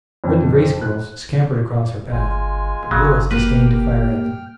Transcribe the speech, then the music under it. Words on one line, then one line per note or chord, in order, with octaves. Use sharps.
Red and gray squirrels scampered across our path, but Willis disdained to fire at them.
F2
F#6
G1 G#3 F4 G#5
G1 C#3 F#3
A#3 G4 B4 G5 F6